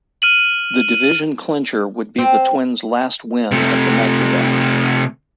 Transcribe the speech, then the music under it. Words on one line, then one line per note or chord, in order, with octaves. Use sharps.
The division clincher would be the Twins' last win at the Metrodome.
F6 D#7 F#7
C4
C3 A3